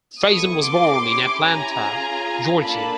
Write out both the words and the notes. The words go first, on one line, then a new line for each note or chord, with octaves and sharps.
Fason was born in Atlanta, Georgia.
B3 E4 A4 C#6 D#6
C6 D6
C#4 E4 G4
G#5 A#5
C#4 F4 G#4
A#3 D4 F4 A4 A5 B5